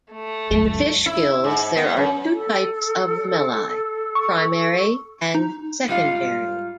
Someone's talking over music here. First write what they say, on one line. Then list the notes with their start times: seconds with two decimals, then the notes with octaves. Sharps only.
In fish gills there are two types of lamellae, primary and secondary.
0.11 A3
0.50 C#2 F#2
1.06 E4
1.44 G#2
1.77 B3
1.97 F#2
2.33 A4
4.15 C#6
5.35 D#4
5.87 G#2 G3 F4 F5